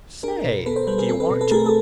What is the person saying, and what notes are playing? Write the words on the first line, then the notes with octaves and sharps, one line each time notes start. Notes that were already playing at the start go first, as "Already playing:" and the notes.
Say--do you want to?'
D4 G#4 A#4
B2
B3 A4 B4
A#4 C5
G3 A4 B4
G#4 A#4
C4 A4
A4 B4
B2
A4 B4
A3 G#4 A#4
A4